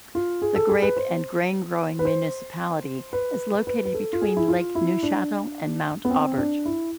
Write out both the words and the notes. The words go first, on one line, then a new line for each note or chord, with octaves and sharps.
The grape and grain growing municipality is located between Lake Neuchatel and Mont Aubert.
F4
G#4
A4
G#4
B4
C5
B4
C5
B4
B4
B4
A4
F4
G#4
E4
F4
E4
D4
B3
C4
D4
E4